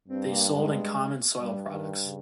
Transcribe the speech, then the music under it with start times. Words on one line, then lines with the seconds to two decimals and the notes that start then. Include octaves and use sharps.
They sold in common soil products.
0.08 G2 C4
0.30 A#3
0.52 G#3
1.38 G2 G3
1.69 D#3
2.02 C#3